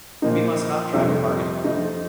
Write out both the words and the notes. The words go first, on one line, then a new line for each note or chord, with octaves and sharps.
We must not drive a bargain.
A#2 F3 A#3 D#4
F2 C3 G3 D#4
F2 F3 D#4